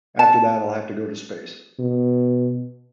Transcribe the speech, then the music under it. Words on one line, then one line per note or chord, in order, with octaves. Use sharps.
After that, I'll have to go to space.
A5
B2